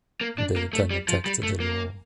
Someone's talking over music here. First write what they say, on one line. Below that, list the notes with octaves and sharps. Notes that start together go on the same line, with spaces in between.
They then attacked the Luo.
A#3
D4
A#3
A3
G3
F3
G3
A3
A#3